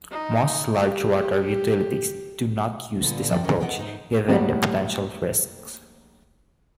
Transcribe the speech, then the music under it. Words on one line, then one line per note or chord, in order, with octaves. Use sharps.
Most large water utilities do not use this approach, given the potential risks.
D#4
G4
A#2 D3 G3 B3
F#2 F3 A4 D5 G5
E2 C3 B3 C#4 A#4 D5
D#2 B3 A#4 B4 D#5 F#5
G#2 D#4 D#5 E5
D#2 A2 F#3 G3 B3